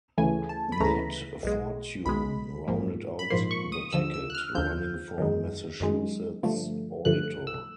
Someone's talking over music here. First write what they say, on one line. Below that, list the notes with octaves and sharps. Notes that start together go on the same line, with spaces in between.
Nat Fortune rounded out the ticket, running for Massachusetts Auditor.
D2 C#3 E3 A3 G#5
A5
B5
D2 C#3 E3 A3 A#5
B1 B2 G#3
B1 B2 G#3 B5
A#1 G#2 F3 A#3
B5
A#1 G#2 F3 A#3 C6
C#6
D#6
D#2 D3 F3 E6
E6
F#6
F6
D#2 D3 F3 G6
F#2 D#3 G#3
F#2 D#3 G#3
G2 D3 F3 A3
G2 D3 F3 A3 F#6
E6